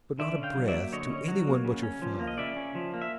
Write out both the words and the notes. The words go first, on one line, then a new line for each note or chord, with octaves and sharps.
'But not a breath to anyone but your father.
D3 D5 E5
C#4
F5 G5
F#3
D5 E5
A#3
D3 C#5 D#5
C#4
F#3
A#3
C#3
C#4
F3
A#3
D#5
C#3 D5 E5
C#4
F3
A#3
E5